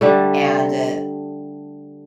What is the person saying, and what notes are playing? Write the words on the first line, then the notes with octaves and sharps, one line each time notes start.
and, uh,
D3 G3 A3